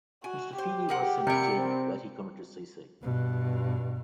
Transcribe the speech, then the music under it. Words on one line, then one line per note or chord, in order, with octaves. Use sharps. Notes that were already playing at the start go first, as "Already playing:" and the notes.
Mr. Feeny was sent to jail, where he committed suicide.
F#4 G#5
G4 C5
G#4 A#4 F#5
C3 G3 A#4 C#7
C4
G2 B2